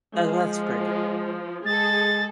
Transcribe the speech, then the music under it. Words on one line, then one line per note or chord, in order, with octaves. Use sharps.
Tha that's great.
F3 G#3
G#3 G#4 A4 A6